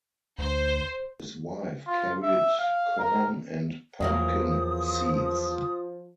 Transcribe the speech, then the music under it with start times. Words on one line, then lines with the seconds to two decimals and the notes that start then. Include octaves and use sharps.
His wife carried corn and pumpkin seeds.
0.39 D2 C5
1.87 F4
2.23 E5
2.59 F5
2.99 A#4
4.01 E2 F3 F#3 A#3 A#4 D#6